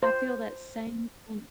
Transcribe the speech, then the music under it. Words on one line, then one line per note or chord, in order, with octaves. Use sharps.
I feel that same thin
C5